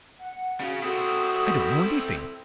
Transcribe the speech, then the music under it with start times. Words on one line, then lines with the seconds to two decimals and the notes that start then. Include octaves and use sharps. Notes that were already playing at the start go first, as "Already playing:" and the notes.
I don't know anything.
0.18 F#5
0.60 C#3 F#4
0.83 C4 E4 F#4 A4 D#6